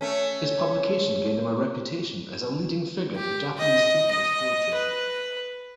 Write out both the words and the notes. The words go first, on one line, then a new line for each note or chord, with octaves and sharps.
Its publication gained him a reputation as a leading figure in Japanese symbolist poetry.
A3 C#4
G4
D#5
D#5
B4